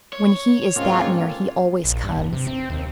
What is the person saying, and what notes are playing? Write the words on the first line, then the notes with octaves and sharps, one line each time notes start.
When he is that near he always comes.
C#5
G#2 A#3 C4 C#4 F4 A4
A#1
G2
E1
C3
C4
D#2